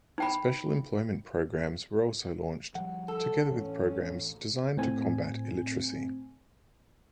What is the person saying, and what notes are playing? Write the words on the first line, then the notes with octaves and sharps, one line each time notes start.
Special employment programmes were also launched, together with programmes designed to combat illiteracy.
D#4 G5 B5
F3 G3 F#5
A4
A2 E3 C#4 D4
A2 C4 G#5